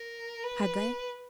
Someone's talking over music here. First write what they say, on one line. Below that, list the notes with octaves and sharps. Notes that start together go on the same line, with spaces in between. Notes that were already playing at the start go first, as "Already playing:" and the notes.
Had they?
Already playing: A#4
B4